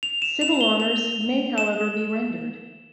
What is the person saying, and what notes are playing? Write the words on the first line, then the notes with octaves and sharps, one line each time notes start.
Civil honors may, however, be rendered.
F7
E7
F7
F7
G7
F7
E7